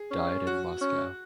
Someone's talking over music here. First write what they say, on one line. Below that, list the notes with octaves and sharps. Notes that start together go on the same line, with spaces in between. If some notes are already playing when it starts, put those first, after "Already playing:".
Died in Moscow.
Already playing: G#4
C#4
F#4
C#4